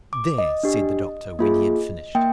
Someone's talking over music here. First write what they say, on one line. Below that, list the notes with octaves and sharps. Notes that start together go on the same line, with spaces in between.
"There!" said the doctor when he had finished.
D6
D#5
D4 G4
A#3 F4 G#4
A#3 G5